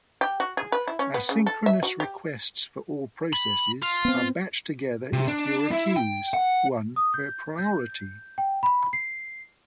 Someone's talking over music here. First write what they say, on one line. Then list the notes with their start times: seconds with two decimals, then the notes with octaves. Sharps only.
Asynchronous requests for all processes are batched together in fewer queues, one per priority.
0.21 G4
0.40 F#4
0.57 G#4
0.72 B4
0.88 E4
0.99 C#4
1.14 B3
1.29 C#3
1.46 A4
1.66 E5
1.83 F#4
2.00 G4
3.33 B5
3.83 F4
4.05 B3 C4
5.13 C3
5.27 D4
5.71 E4
5.96 G5
6.34 F#5
6.96 D#6
7.14 G6
7.58 G6
8.38 G5
8.63 B5
8.93 C7